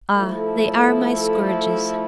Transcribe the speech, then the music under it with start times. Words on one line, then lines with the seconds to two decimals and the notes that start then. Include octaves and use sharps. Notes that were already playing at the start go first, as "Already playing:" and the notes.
"Ah, they are my scourges."
0.17 F3 A3 E4 A4